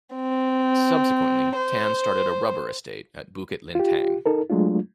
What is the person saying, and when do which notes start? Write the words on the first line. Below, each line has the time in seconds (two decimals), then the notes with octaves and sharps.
Subsequently, Tan started a rubber estate at Bukit Lintang.
0.15 C4
1.56 C5
3.75 F4 G4
4.26 D#4 A4 A#4
4.50 F#3 G#3 A3 D4 F4